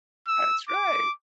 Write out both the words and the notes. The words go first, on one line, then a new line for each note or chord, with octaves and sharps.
That's right.
E6
D6